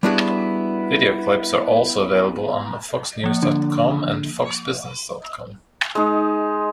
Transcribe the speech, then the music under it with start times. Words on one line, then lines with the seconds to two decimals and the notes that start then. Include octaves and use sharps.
Video clips are also available on Foxnews.com and Foxbusiness.com.
0.03 G3 B3 D4 E4 F#4 G#4
3.24 F3 A#3
3.43 D3
5.95 G#3 D#4